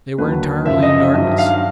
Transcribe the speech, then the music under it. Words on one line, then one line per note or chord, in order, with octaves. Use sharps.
They were entirely in darkness.
D#2 D3 F#3 B4
F#2 C#3 F3 E5
D#5
E5
G2 D#3 F#3 E5
F5